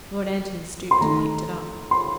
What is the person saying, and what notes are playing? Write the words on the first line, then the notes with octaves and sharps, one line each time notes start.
Lord Antony stooped and picked it up.
C6
D#3 A3 D#4 A#5
C6